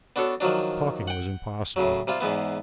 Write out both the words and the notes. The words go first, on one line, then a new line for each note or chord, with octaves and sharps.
Talking was impossible.
B3 D4 F#4 A4 C#5
D#3 F3 F#3 D4
F#5 G5
A2 C#3 F#3
C3 G3 F4
E2 G#2 E3 B3